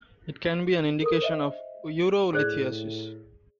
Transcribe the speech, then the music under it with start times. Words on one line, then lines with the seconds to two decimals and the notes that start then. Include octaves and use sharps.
It can be an indication of urolithiasis.
1.02 A4 A#4 D#6
1.22 C5 D#5 E5
2.33 A2 G#4 C5 D5